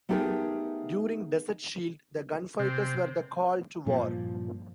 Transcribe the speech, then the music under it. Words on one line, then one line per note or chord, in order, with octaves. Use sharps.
During Desert Shield the Gunfighters were the called to war.
A3 B3 D#4 G4 G#4 A#4
C3
G2 A#2 F3